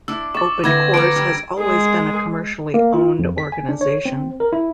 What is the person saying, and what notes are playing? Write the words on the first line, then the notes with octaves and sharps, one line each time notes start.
OpenCores has always been a commercially owned organization.
D4 E4 E6
C#6 D6 A6
D3 C4 E4 B4 D6 G#6 A#6
A4 B4 D5 A#5 D7
G3
G#3 G#4
A#3
F4
F2
B6
G#5
D4
C#5
C4
A#4
E4